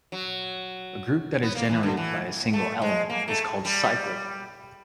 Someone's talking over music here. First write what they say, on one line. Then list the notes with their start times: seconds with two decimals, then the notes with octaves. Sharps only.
A group that is generated by a single element is called cyclic.
0.12 F#3
1.43 B3
1.55 A#3
1.69 E3
1.83 D3
1.97 E3
2.53 A3
2.82 G#3
3.09 A#3
3.28 A3
3.65 G3